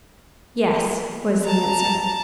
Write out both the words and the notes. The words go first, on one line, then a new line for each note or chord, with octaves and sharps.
"Yes," was the answer.
A5 A#5